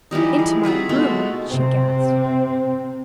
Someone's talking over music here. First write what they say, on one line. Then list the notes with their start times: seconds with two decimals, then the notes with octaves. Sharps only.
"Into my room?" she gasped.
0.11 E3 F3 G3 D#4
0.39 G#4
0.63 C4 F4 F#4 B4
0.89 B2 G#3 A3
1.49 C3 C4